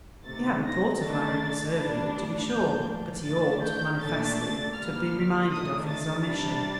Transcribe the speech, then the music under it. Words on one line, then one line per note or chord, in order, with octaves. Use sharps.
He hadn't thought of hiring a servant, to be sure, but he ought, manifestly, to have been reminded of his omission.
C3 D#3 A3 A6
A#6
D#3 A3 D4 A6
A2 G3 D4
A2 F3 A#3 D4 G6
D#3 A3 D4 A6
G6
A#2 A3 D4 A6
A6
D3 G3 A#3 F6
C3 D#3 A3 D4 D#6
A6
C3 G3 D4